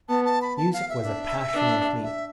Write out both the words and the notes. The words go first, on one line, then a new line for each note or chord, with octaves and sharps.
Music was a passion with me.
B3 A5
A5
B5
A5
F5
E5
D4
D4
E5